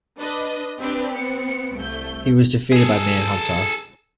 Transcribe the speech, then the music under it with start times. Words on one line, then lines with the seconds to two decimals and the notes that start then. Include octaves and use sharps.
He was defeated by Manhunter.
0.18 D4 B4 D#5
0.80 C4 D4 G4 B4
1.14 B3 C4 C#7
1.77 C2 A3 G6
2.72 G#4 A4